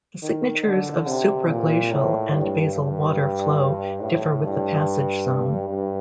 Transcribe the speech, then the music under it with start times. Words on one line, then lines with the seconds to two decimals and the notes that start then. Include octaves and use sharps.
The signatures of supraglacial and basal water flow differ with the passage zone.
0.22 D#3
0.65 D3
1.07 C3
1.48 A#2
1.91 A2
2.33 G2
2.75 G2
4.02 A2
4.43 G2
5.69 G2